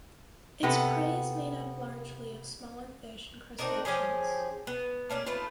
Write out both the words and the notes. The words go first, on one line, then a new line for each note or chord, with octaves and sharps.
Its prey is made up largely of smaller fish and crustaceans.
C3 B3 A4
C4 D4 D#4 A#4
F3 C#4 G4 G#4
B3
A3 A#3 C#4 D4
A3 B3 D#4 F4